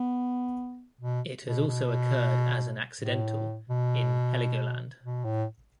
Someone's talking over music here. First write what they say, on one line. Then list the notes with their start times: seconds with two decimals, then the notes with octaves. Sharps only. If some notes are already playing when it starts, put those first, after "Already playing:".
It has also occurred as an accidental in Heligoland.
Already playing: B3
1.01 B2
1.45 B2
1.68 B2
3.01 A2
3.69 B2
5.03 B2
5.24 A2